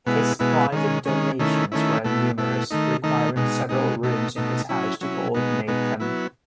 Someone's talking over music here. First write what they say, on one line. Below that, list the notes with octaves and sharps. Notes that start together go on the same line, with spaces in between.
His private donations were numerous, requiring several rooms in his house to coordinate them.
B2 G#3 B3 E4
B2 G#3 B3 E4
D#3 G#3 C#4
D#3 G#3 C#4
D#3 A3 C#4 E4
D#3 A3 C#4 E4
B2 A3 E4
B2 A3 E4
D#3 A3 D#4
D#3 A3 D#4
B2 G#3 D#4
B2 G#3 D#4
B2 A3 D#4
B2 A3 D#4
F#3 C#4 E4
F#3 C#4 E4
B2 G#3 B3 D#4
B2 G#3 B3 D#4
F#3 B3 E4